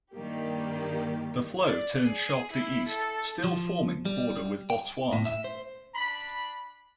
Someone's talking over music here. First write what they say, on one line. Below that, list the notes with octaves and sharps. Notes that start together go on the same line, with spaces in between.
The flow turns sharply east, still forming the border with Botswana.
G2 D#3 G3 A#3 G4
D5
G#4
E4
A4
F3
G3
G5
A2
E5
C5
D4 B5